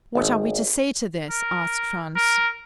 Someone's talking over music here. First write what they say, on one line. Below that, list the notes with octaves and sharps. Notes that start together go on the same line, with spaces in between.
"What are we to say to this?" asked Franz.
G#1
A#4
A#4